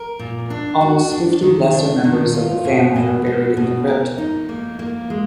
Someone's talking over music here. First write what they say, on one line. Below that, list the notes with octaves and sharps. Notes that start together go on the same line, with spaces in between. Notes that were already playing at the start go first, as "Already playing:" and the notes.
Almost fifty lesser members of the family are buried in the crypt.
Already playing: A#4
A#2
D4
F#4
D4
D#3
D4
D#3
F4
B2
B2
B2
B2
A#4
D#4
A#3
A#3
G#3